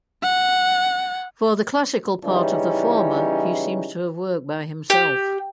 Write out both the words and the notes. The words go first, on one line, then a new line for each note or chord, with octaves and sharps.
For the classical part of the former he seems to have worked by himself.
F#5
C#3 E3 G3 C#4 D#4 E4
G4